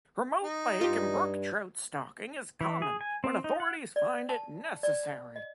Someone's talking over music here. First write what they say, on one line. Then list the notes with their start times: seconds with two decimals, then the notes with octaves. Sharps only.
Remote lake and brook trout stocking is common when authorities find it necessary.
0.44 D#4
0.81 G2 F4 G4
2.61 E3
2.82 G#4
3.01 G#5
3.24 C4
3.44 D#4
3.60 F#5
3.96 D5
4.29 A5
4.83 D5
5.36 D#5